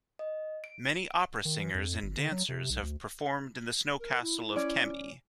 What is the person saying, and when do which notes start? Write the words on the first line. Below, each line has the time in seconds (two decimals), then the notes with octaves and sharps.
Many opera singers and dancers have performed in the SnowCastle of Kemi.
0.19 D#5
0.64 D7
1.45 D#3
1.59 E3
1.75 F2
2.02 G1
2.17 D3
2.31 F#3
2.48 C3
2.70 B1
2.83 D2
3.99 A#4
4.21 E4
4.56 C#4 D5